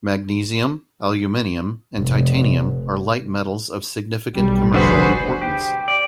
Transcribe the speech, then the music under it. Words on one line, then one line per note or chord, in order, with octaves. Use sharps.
Magnesium, aluminium and titanium are light metals of significant commercial importance.
F1
B1 G3
F1 D3 F#4 G#4 B4 C5
G4
D5